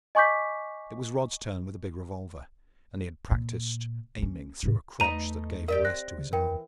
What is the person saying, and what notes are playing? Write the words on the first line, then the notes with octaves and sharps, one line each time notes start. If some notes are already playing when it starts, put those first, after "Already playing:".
It was Rod's turn with the big revolver, and he had practised aiming through a crotch that gave a rest to his arm.
D#5 G#5 C#6 D6 G6 B6
A#2
A#3 C#4
A2 C#3
E2 A3 D#4 B4 A#5 D#7
G4 A#4 D5 E5
C4 F#6 A#6
C#3
F2 E3 A#4 G5